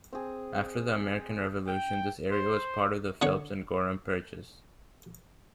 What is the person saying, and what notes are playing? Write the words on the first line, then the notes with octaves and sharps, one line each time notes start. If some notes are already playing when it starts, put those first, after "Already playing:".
After the American Revolution, this area was part of the Phelps and Gorham Purchase.
C4 G#4
G5
C5
D3 D4 C#5 C#6